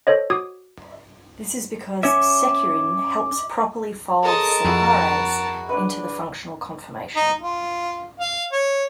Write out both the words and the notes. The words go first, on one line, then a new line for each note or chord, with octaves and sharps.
This is because securin helps properly fold separase into the functional conformation.
A4 C5 C#5 D#5
F#4 D6 D#6 G#6
C#4 C#5 E5 D6
G#3 A4 A#4 C#5 D#5 A5
F2 E4 F#4 G#4
D4 B4
D#4
F4
F5
C#5